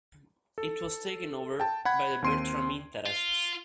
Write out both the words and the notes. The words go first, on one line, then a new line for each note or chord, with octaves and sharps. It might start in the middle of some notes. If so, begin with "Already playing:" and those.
It was taken over by the Bertram interests.
A4
G5 A5
F#5 B5 G#6
D#2 C4 C6 D7 D#7
F4